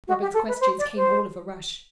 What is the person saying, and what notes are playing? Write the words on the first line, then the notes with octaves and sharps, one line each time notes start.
Robin's questions came all of a rush.
F#4
G4
A4
B4
C5
D5
C5